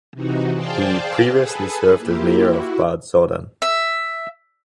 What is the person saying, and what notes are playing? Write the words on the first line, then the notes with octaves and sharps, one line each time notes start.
He previously served as mayor of Bad Soden.
C3 E3 D#4 F#4
G#4 C5 D5 F5 G5 A5
G#4 A4 B4
A#3 E4 F4 G4
E4 F#4
E5